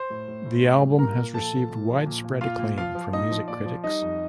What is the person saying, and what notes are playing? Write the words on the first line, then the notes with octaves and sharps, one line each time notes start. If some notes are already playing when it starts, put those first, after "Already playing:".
The album has received widespread acclaim from music critics.
Already playing: C5 C6
A2
A2
A2
A2
G3
A#2 A#4 A#5
A#2
F3 A4 A5
A#2
A#2
F3
A#2
A#2
A#2 F4 F5
A#2
F3 F4 F5
F3
A#2 D#4 D#5
F3
A#2 D5
F3
G3 D#4 D#5
F2